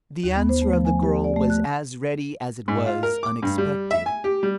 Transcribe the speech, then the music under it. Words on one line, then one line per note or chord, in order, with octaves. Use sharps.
The answer of the girl was as ready as it was unexpected.
D#2
B3
C5
A3
F3
G#5
G4
D5
A3
F#6
G#2
F4
A#4
D6
G2
G3
E5
G#5
G4
G3